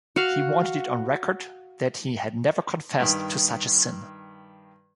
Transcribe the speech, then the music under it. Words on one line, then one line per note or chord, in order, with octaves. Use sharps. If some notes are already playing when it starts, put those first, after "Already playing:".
He wanted it on record that he had never confessed to such a sin.
F#4 F5
G2 D#3